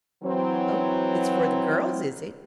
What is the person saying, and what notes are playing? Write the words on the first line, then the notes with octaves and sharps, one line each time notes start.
"O, it's for the girls, is it?"
E3 F#3 C4